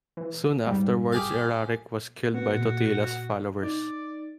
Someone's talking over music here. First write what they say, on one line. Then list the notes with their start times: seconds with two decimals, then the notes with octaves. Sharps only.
Soon afterwards Eraric was killed by Totila's followers.
0.17 E3
0.67 G#2 G3
1.12 G4 G#4 F5
2.34 B3 F#4
2.53 A#2
3.63 D#4 D5